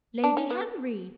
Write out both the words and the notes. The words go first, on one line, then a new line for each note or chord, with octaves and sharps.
"Lady Henry!"
D4
C#4
B3